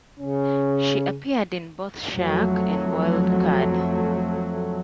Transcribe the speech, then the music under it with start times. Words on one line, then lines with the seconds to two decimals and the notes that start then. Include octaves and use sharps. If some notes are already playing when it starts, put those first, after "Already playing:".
She appeared in both "Shark" and "Wild Card".
0.19 C#3 C#4
2.13 F2 F#3 A3